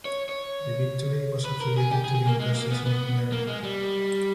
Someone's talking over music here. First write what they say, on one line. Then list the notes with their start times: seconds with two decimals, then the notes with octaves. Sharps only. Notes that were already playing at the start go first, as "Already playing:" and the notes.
The victory was attributed to the intercession of Mary.
0.05 C#5
0.29 C#5
1.45 B4
1.61 A#4
1.77 G#4
1.92 G4
2.04 G#4
2.15 G#4
2.27 A#3
2.40 G#3
2.55 A#3
2.71 B3
2.86 B3
3.32 A#3
3.47 G#3
3.63 G3